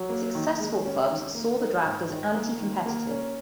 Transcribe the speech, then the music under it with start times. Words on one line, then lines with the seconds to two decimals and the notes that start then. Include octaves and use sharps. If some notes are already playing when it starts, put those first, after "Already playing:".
Successful clubs saw the draft as anti-competitive.
Already playing: F#3
0.10 A#3
0.35 D#3
0.60 G#3
0.85 C#4
1.09 D#3
1.35 A#3
1.60 D#4
1.85 G#2
2.10 D#3
2.34 A#3
2.60 D#3
2.86 A#3
3.11 C#4